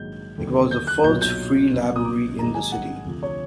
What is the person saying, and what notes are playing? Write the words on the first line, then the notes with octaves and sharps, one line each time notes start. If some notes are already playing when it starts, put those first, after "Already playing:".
It was the first free library in the city.
Already playing: A#1 G#2 D#3 F#3 G6
D#2 D3 F#3
G6
F#6
B1 A#2 F#3 G6
G6
C2 B2 F#3
D#6
D6
A#1 G#2 D#3 F#3 A#5
G#5
F#5
D2 C3 F3
C#5